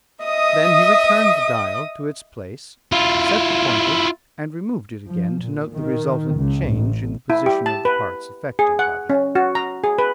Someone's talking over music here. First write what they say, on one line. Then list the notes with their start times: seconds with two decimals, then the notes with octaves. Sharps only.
Then he returned the dial to its place, set the pointer, and removed it again to note the resultant change in the position of the parts affected by the act.
0.24 D#5 E5 D#6
2.92 E4 F4
5.07 F3
5.41 A#2
5.74 D#3
6.36 C#2
6.69 A1
7.30 E4
7.46 G4
7.66 A5
7.85 B4
8.59 G#4
8.79 F#5
9.10 C#4
9.35 F#4
9.55 A#5
9.84 G#4
9.98 B4